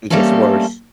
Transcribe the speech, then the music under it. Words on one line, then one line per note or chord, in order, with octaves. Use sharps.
It gets worse,
G3 A3 A#3 C4 C#4 A4